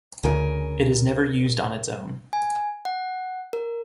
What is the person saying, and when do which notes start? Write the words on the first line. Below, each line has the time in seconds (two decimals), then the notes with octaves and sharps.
It is never used on its own.
0.24 D2 C#3 A#4 G#5
2.33 G#5
2.85 F#5
3.53 A#4